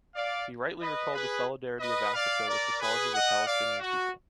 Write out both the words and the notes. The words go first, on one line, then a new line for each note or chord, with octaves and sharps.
He rightly recalled the solidarity of Africa with the cause of the Palestinian people.
D5 F5
B4 D#5
G#4 B4
B4 D#5
D5 F5
A#4 D5
G#4 B4
D#5 F#5
D5 F5
F#4